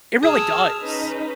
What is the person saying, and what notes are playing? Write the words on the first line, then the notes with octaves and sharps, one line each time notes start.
It really does.
G#4 A5 E6 F6
C#4 D#4 B4